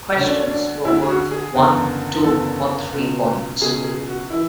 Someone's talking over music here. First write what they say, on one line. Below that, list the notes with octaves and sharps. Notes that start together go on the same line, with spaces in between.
Questions were worth one, two or three points.
D2 D3 C#4
D4
C#4
D4
D2 D3 E4
G#4
F#4
G#4
F#1 E2 D3
F#1 E2 D3 A4
C#2 B2
C#2 B2 G#4
G#4
F#4
E3 E4